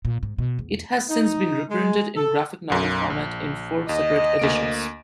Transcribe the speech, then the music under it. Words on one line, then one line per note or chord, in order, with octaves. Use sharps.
It has since been reprinted in graphic novel format in four separate editions.
A#2
G#2
B2
E2
D#4
G#3
A4
B1 F#2
A#1
D#2 D#5
D2 A#3 D7